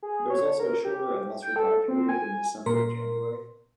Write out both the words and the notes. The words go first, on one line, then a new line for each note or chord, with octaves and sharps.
There is also a shorter and lesser dry period in December and January.
G#4
C#5
A#4
G4
G5
A4
C4
G#5
A#2 A#4 C6